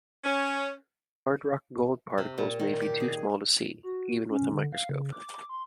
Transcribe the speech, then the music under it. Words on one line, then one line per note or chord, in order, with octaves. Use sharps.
Hardrock gold particles may be too small to see, even with a microscope.
C#4
C3
A#2
D#3
G4
G#4
F#4
C#4
D3
F5
C#3
D6
C6